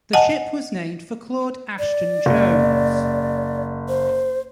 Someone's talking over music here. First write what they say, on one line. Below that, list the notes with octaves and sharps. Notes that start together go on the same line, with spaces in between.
The ship was named for Claud Ashton Jones.
D#5 F#5 G#5 A5
D5
F#1
C5